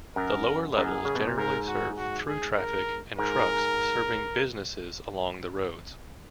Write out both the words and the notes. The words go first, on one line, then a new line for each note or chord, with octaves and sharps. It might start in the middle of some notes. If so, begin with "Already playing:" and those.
The lower levels generally serve through-traffic and trucks serving businesses along the roads.
F#2 A#4
F#2 G#4
C#3
B2
A#2
G#2 A#4
F#4
F#4
G#4
A#4
G#2 A#4